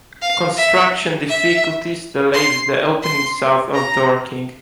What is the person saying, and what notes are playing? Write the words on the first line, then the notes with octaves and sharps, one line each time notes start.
Construction difficulties delayed the opening south of Dorking.
F5
E5
E5
C6
C6
A#5